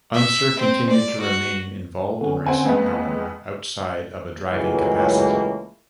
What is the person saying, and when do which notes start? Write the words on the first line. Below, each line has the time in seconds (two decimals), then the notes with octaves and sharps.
Unser continued to remain involved in racing, however, outside of a driving capacity.
0.15 E5
0.60 C4
0.91 D5
1.22 F#4
2.21 D3 B3 C#4
2.46 C4 F#5 G#5
2.66 F2 E3 G#3 A#3 B3
4.52 C#2 A2 E3 F#3 G#3 A#3